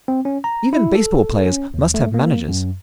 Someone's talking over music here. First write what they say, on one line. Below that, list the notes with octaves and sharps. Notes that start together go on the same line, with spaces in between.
Even baseball players must have managers.
C4
C#4
A#5
E4
A4
C#4
D#2
A3
A#3
F#2